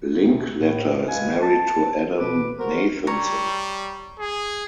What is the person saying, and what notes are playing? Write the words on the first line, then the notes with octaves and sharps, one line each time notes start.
Linkletter is married to Adam Nathanson.
D2 B2 D#3
A2
A2 G#3 B4 F5 G#5
A5
B2 B4 D6
F#4 A#4 C5
G3 C#5 A#5
G#4